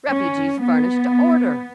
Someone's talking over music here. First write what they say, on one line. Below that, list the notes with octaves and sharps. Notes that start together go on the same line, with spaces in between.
Refuges furnished to order.
C#4
B3